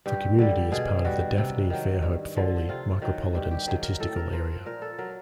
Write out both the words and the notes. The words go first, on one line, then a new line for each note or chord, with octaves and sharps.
The community is part of the Daphne-Fairhope-Foley Micropolitan Statistical Area.
G2 G4
D3 G3
B2 G#4
G3 F#4
C3
D#3 F#3
G2
D3 F3
C3 F4
D#3 F#3 F#4
G2 G4
G4
D#3 F#3 G#4
A#4
A2 A4
A#4
F3 A#4
A#2 A#4
A4
F#3 A#4